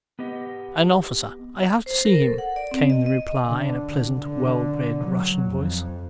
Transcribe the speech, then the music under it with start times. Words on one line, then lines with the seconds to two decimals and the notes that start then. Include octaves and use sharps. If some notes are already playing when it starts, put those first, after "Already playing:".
"An officer, I have to see him," came the reply in a pleasant, well-bred Russian voice.
0.19 B3 G4 D#5
1.86 C5
2.05 A#4
2.22 A4
2.38 F#5
2.56 D5
2.71 C4
2.90 D#5
3.06 D#5
3.47 D3
4.18 D3
5.05 F#3
5.48 F2